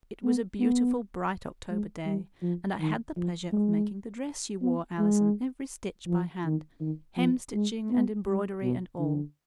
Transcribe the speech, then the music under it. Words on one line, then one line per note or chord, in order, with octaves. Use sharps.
It was a beautiful bright October day, and I had the pleasure of making the dress you wore, Allison, every stitch by hand, hemstitching and embroidery and all.
B3
B3
G#3
G3
F3
D#3
F3
G#3
B3
G#3
F3
D#3
D#3
F3
G#3
B3
G3
B2
D3